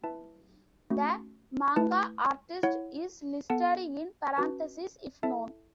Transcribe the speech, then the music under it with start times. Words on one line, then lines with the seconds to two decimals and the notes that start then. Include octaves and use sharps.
The manga artist is listed in parentheses if known.
0.03 E4 B4 E5 A5
0.90 A3 C#4 F#4
1.76 A3 E4 B4 A5
2.63 E4 C#5 F#5
3.50 B3 A4 F#5 A5
4.37 C#4 F#4 B4 A5
5.23 E4 A4 E5 A5